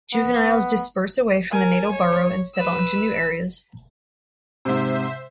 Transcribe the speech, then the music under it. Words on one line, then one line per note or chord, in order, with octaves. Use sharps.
Juveniles disperse away from the natal burrow and settle into new areas.
B3
A#4 G#5
C#5
B4 E6
G#2 C3 C5 E5